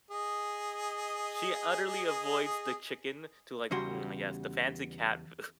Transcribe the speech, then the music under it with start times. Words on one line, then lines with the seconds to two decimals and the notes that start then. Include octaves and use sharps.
she utterly avoids the chicken to, like, "Hmm, yes, the fancy cat food."
0.11 G#4 D#5
3.71 E2 C#3 G3 F#4 C6